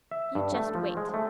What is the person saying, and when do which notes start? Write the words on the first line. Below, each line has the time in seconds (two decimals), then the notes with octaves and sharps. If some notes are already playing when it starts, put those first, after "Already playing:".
"You just wait!"
0.11 E5
0.35 G2
0.55 A3
0.75 F3
0.97 G#3
1.14 A3